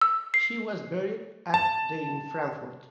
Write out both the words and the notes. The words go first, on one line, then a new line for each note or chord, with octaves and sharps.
She was buried at the in Frankfurt.
E6
C7
A5